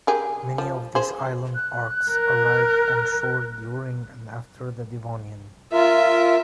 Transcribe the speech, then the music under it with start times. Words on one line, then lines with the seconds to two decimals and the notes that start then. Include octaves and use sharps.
Many of these island arcs arrived onshore during and after the Devonian.
0.07 G4 G#4 A#4
0.58 F3
0.95 G#4 C5
1.55 F#6
2.12 A#4
5.73 F4 A#4 E5